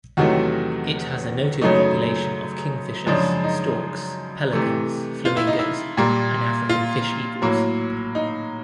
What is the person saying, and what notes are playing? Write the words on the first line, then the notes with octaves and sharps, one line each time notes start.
It has a noted population of kingfishers, storks, pelicans, flamingos and African fish eagles.
E2 C3 D#3 F#3 A3 F#4
F#2 C#3 F#3 A3 D#4
F#2 C#3 F3 G#3 D4
D#4
C3 E3 A3
F4
E4
D#4
E4
A#2 G3 A#3
F4
A2 F#3 A#3
D#4